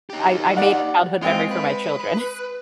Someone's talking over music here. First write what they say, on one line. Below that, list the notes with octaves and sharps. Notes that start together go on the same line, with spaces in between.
I I made a childhood memory for my children.
D#4 G4
D5 F#5
G#3 C4 F4 G5
B4